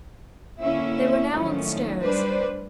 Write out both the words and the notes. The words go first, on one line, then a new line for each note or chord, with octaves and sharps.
They were now on the stairs.
D3 A#3 C#4 E4 E5
F#2 A2 D#3 F3 A3 C#4
G3 D4 B4 C5 D5